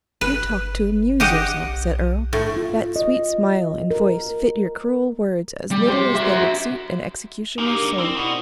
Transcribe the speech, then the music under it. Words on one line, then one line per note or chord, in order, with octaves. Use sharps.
"You talk to amuse yourself," said Earle, "that sweet smile and voice fit your cruel words as little as they would suit an executioner's sword."
G1 B4
G4 D#5 F#5
B1
A2
F4
D#5
A#4
G3
G4 C5
F#4 E5
G#2 A#3 D#4 G4
D4 A#4
C4 D#4 E4 D5
B2